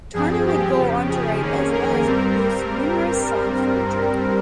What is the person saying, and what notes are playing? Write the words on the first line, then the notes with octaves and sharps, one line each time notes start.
Tarney would go on to write as well as produce numerous songs for Richard.
G2 F3 C4 G#4
G4
F2 C#3 F3
G#4
F2 D#3 A#3 C#4
A#4
G2 G3 C4